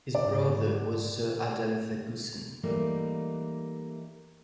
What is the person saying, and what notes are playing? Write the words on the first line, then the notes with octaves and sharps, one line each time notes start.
His brother was Sir Adam Ferguson.
G#2 D3 D5
E3 G3 A3 A#3 D#4